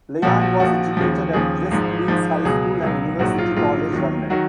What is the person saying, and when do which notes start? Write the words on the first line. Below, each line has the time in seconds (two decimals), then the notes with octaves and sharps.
Lyon was educated at West Leeds High School and University College, London.
0.22 A#1 A#2 F3 F#4
0.41 F#4
0.60 A#1 A#2 F3 F#4
0.97 D#2 C#3 F3
1.33 D#2 C#3 F3 G#4
1.71 G#1 G#2 F3
2.08 G#1 G#2 F3
2.45 C#2 B2 F#3 G#4
2.82 C#2 B2 F#3
3.19 A#1 G#2 F#3 F#4
3.38 F4
3.56 A#1 G#2 F#3 F4
3.93 D#2 D#3 F#3
4.30 D#3 F#3 F#4